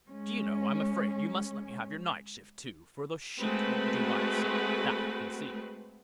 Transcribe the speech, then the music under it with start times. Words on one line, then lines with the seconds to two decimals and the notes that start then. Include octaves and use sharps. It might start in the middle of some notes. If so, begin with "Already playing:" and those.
'Do you know I am afraid you must let me have your nightshift too, for the sheet won't do by itself; that I can see.'
0.10 G#3 C#4
3.40 G#3 A3 C4 F#4 B4